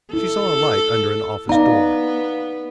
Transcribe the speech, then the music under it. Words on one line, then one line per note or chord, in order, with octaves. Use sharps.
She saw a light under an office door.
E4 A4
B3 D#4 D5 F5 A#5